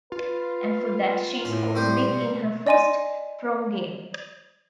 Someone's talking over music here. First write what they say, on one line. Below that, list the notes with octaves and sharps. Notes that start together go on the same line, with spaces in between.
And for that, she scores big in her first pro game.
F4 B4
A2 C#4
G3 C4 G4 C5
B2
D5 D#5 G#5 C6 D#7